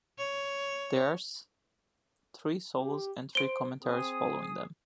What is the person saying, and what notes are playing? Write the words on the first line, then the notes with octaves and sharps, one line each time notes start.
There are three solos and three commentaries following them.
C#5
G4
C5 D7 G7
C4 G#4 G#5 D#6